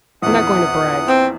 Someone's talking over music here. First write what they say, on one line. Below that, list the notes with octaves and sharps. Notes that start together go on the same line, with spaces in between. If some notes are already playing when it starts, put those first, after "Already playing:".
I'm not going to brag.
A#1 E2 F#5 D#6
C4